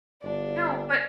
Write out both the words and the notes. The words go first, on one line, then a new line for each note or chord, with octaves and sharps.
No, but
G1 D4